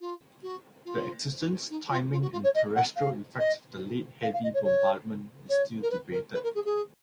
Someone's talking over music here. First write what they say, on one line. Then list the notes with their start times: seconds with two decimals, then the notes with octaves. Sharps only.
The existence, timing, and terrestrial effects of the Late Heavy Bombardment is still debated.
0.01 F4
0.43 F#4
0.85 F4
1.70 D#4
1.90 F4
2.12 F4
2.22 F#4
2.32 F4
2.44 C#5
2.54 D#5
2.75 F#5
2.96 F5
3.39 D#5
4.23 F5
4.34 F5
4.43 D#5
4.54 C#5
4.64 C#5
5.49 C#5
5.82 A#4
5.91 B4
6.12 A#4
6.34 B4
6.44 A#4
6.55 G#4
6.65 G#4